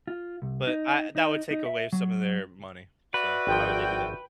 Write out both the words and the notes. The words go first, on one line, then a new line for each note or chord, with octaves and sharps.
But, I that would take away some of their money. So, why would they do that?
F4
C2
D#4
D#4
D#4
E5
F#3
F#4 B4 D5 E5
G#1 F3 G5